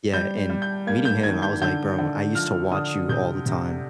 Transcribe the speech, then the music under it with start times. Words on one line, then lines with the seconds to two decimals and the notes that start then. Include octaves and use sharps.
yeah, and meeting him, I was like, "Bro, I used to watch you all the time."
0.14 G3 G6
0.50 G3
0.62 G6
0.87 A#3 G#6
1.05 G6
1.24 D#3 G#6
1.42 G6
1.61 D3 G6
1.99 D3
2.35 F3 F6
2.72 D3 D#6
3.09 C3 G6
3.46 C3